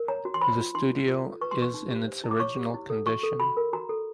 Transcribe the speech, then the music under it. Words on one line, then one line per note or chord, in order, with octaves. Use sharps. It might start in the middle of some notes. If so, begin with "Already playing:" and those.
The studio is in its original condition.
Already playing: A#4
C#5 A#5
F#4
C6
C5 B5
F4
D#4 C6
F#4
F4
A4
B4 C#6
C6
B4 C#6
D#4
G4
C5
E4
D6
C#5 C#6
G4
E4
A4
F#4 C#6
A4
F#4 B5
A#4
F#4 A#5
A4